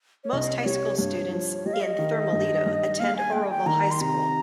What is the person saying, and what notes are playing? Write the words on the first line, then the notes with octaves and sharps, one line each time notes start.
Most high school students in Thermalito attend Oroville High School.
C#5
C2 D#5
D#5
G3 C#5
G2 C#5
F3
G3 D#5
F5
D#5
D#3
G2
G2
A#3 F5
G#5
A#3 G5
G5
D#3 A#5
C6
C3 A#5